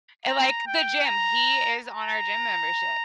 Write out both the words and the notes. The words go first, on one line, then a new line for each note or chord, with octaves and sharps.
And, like, the gym he is on our gym membership.
A#5
G5
A#5
A#5